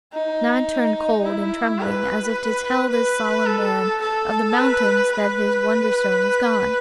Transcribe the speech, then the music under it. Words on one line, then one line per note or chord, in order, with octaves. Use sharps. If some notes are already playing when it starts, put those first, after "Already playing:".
Nod turned cold, and trembling, as if to tell this solemn Man of the Mountains that his Wonderstone was gone.
D#4
E4
B4
B4
A4
A4
B4
B4